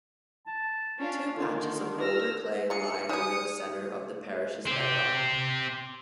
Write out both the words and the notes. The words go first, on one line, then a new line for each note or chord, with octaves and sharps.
Two patches of boulder clay lie over the centre of the parish's bedrock.
A5
C#4 D4 F4
D3 D#3 F4
E6 F6 A#6
G#3 F4 G#4 C#7
G3 D#4 G#4 D5 D#6 G6
C4 G4